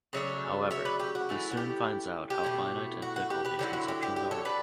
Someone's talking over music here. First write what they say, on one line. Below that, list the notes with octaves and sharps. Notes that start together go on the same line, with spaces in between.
However he soon finds out how finite and fickle these conceptions are.
C#3 F#3 A3 D4 C#5 E5
C#5 E5
B4 D5
G4
F#4
E3 A3 C#4 E4
F#4
G4
G4
B2 A3 C#4 E4
F#4
F#4
G4
G4 B4
D3 F#3 C#4 E4 G4
F#4
G4
G4
G4
A4 C#5
B4 D5